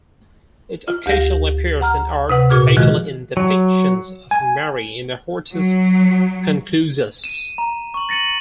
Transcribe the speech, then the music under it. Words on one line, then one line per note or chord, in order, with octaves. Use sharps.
It occasionally appears in art, especially in depictions of Mary in the hortus conclusus.
F4
D2 G4 F5 A#6
F#5 A#5 F6
C3 B4 F#5
A#2 F#4 G#4 D6 F6
D#3 F3 G#3 F4 F#4 G#4
F#3
G#5
F#3
D#7 E7
A#5
C#6 F#7
A6 A#6 C#7 D#7 F#7